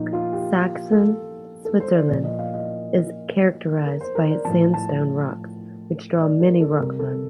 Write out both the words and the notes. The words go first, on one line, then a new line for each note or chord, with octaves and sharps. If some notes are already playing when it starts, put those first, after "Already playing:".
Saxon Switzerland is characterized by its sandstone rocks which draw many rock climbers.
Already playing: A#2 F3 D#4
F4
G4
A4
A4
C5
D5
A#2 F3 D5
D#5
F5
D#5
A#4
C5
A#4
D5
A2 F3 A5
A5
D5
A#4
A4
C3 G3 A#4
A4